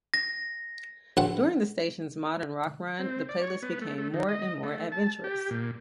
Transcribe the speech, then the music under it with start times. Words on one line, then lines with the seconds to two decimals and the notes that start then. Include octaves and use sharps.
During the station's modern rock run, the playlist became more and more adventurous.
0.14 A#6
1.17 A#1 F#5
2.99 C4
3.29 D5
3.42 C#5
3.62 B3
3.82 A3
3.98 A3
4.14 D#3
4.28 D#5
4.63 A3
4.92 A5
5.24 G4
5.51 A#2